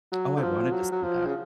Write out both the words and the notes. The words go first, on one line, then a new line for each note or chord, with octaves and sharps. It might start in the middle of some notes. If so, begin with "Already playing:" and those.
Oh, I wanted to see that.
F#3
D3
F3
F#3
F#3
F3
C#3